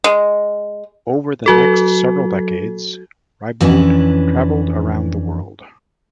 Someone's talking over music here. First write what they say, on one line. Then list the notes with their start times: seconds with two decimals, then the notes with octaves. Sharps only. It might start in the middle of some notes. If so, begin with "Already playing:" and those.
Over the next several decades, Riboud traveled around the world.
0.04 G#3
1.46 F#3 F#4 A4
3.61 F2 E3 C#4 D4 B4